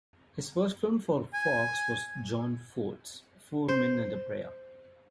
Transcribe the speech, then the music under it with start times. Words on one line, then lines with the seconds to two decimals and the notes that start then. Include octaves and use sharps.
His first film for Fox was John Ford's "Four Men and a Prayer".
1.34 G#5
3.68 C5